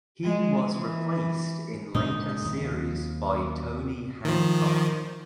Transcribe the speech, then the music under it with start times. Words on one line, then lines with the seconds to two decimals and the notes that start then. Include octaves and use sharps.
He was replaced in later series by Tony Hancock.
0.25 G#3
0.70 E3
1.94 A#2 G#3 D4 D#4
2.44 D#2
4.25 D#3 F3